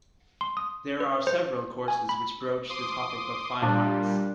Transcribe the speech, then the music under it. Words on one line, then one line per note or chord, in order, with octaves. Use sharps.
There are several courses which broach the topic of fine arts.
C6
D#6
B4
C5
G#5
B5
F3 C6 D6 D#6
A#2 G3 D4 F4